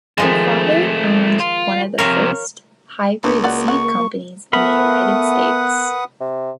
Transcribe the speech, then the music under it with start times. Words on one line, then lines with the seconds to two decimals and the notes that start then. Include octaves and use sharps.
Her father owned one of the first hybrid seed companies in the United States.
0.18 F2 D#3 F3 G#3 A3
1.40 F4
1.98 F2 C3 A#4 C#5 F5
3.24 C#2 A#3 D4
3.44 F#4 D5 F#5
3.68 G#3 F#5 C#6
4.53 A3 B3 A#4 B4 F#5 B5 D#6
6.20 C3